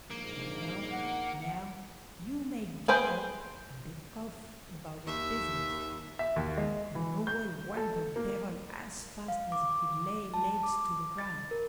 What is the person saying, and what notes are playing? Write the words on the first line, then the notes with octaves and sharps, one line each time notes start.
'Well now, you may get up and be off about your business', and away went the Devil as fast as he could lay legs to the ground.
A#1 G#2 A#3
F#5
G#4 B4 C5 G5
D#2 E5
E5
D#2
G#3
E3
G6
A4
A#3
F5
D6
A5
D6
A6
A#4